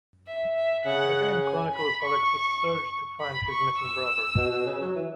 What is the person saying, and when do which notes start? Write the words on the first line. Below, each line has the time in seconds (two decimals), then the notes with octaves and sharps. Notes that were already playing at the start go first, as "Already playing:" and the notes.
The game chronicles Alex's search to find his missing brother.
0.27 E5
0.56 E5
0.85 C#3 F#5
1.44 G#5
1.74 B5
2.03 C#6
3.20 B5
3.49 C#6
3.79 E6
4.37 B2
4.52 B2
4.66 C#3
4.81 F#3
4.95 E3